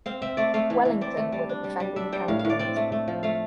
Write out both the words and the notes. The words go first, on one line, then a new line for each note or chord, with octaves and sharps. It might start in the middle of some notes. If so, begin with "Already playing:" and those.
Wellington were the defending champions.
C4 F5
C4 E5
A3 D5
A3 F5
E3
E3
C4 D5
A3
G3 D5
D4
G3
G3
D4 E5
G3 G5
A2 F5
F5
A2 D5
C4 D5
A3
A3
F3
A3 F5